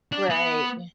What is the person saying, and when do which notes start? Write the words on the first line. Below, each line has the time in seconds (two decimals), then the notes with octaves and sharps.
Right, ye
0.12 D4
0.30 B3